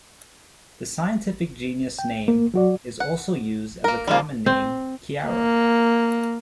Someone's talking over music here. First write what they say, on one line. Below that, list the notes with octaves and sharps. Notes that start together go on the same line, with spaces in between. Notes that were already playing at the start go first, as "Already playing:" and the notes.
The scientific genus name is also used as a common name Kerria.
G5
A#3
F#3 F#4 D5
F#5
A#3 A#4
G#2 F3 G3 A#3 F4
C4
A#3